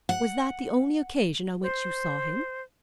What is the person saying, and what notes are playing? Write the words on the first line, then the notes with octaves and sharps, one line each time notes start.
Was that the only occasion on which you saw him?
F#5
C5